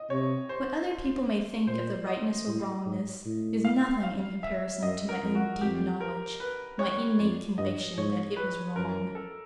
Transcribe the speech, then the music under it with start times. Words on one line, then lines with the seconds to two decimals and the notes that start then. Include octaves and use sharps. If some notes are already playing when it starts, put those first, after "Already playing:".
'What other people may think of the rightness or wrongness is nothing in comparison to my own deep knowledge, my innate conviction that it was wrong.
Already playing: D#5
0.10 C3 C#5
0.49 C5
1.67 A#2 C5
2.07 D#5
2.47 A2
2.85 G#2
3.25 A2
3.65 F5
4.03 F5
4.43 E5
4.82 F#2 D#5
5.09 A#4
5.22 F2
5.35 F#4
5.61 F2 G4
6.01 A#4
6.40 B4
6.79 C#5
7.18 F2 D5
7.58 G2 D#5
7.97 G#2 C#5
8.37 B4
8.76 F#2 A#4
9.15 A4